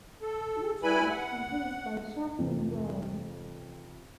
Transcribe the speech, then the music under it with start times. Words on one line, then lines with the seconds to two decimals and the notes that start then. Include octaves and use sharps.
All tracks composed by Jackson Browne.
0.22 A4
0.83 G3 E4 B4 G#5 B5
1.10 F#5
2.38 F2 C3 E3